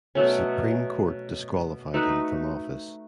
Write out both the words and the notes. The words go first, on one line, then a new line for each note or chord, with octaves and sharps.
Supreme Court disqualified him from office.
B2 F#3 A3 C#4
A3 D#4 F#4 B4